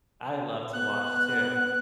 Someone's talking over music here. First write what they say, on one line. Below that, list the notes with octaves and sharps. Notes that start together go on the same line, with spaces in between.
I love to watch too.
B3 F#6